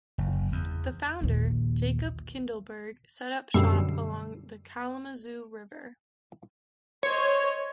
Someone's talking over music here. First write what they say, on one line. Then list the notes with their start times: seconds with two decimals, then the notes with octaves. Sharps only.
The founder, Jacob Kindleberger set up shop along the Kalamazoo River.
0.18 F#1
0.52 E2
1.21 A#1 D#2
3.54 F#2 B2 D3 G3 E6 C7
7.03 C5 C#5 D#5